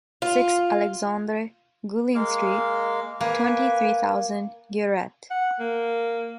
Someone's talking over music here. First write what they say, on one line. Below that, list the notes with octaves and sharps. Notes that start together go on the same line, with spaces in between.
Six Alexandre Guillon Street, twenty-three thousand, Guéret.
F4
G#3 A#3 F5
A#3 B4 G#5
F#5
A#3